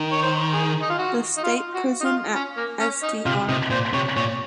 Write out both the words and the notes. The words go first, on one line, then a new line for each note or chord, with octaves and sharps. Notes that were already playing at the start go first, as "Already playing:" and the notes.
The State Prison at Sdr.
Already playing: D#3
C#5
C5
G#4
D#4
F4
F#4
D#4
F4
F#4
D#4
F4
C#4
A#3
C#4
D#4
C3 F4
C3 D#4
A#2 C5
C3 C#5
A#2 C#5